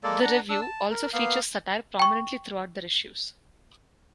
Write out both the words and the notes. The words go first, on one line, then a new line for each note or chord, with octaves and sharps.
The "Review" also features satire prominently throughout their issues.
G#3 A#3 A4 D5
D4 F#5 A#5
D4 E6
A5
A#4
A#3 B3 F5
G5 C#6